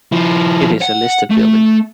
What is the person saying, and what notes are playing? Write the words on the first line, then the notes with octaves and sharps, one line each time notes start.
It is a listed building.
F3 E4
F#5
A3